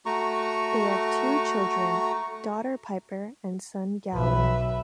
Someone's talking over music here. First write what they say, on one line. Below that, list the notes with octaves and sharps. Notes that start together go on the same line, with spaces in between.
They have two children, daughter Pyper and son Galen.
A3 F#4 A#5 C#6
B1 B4 E5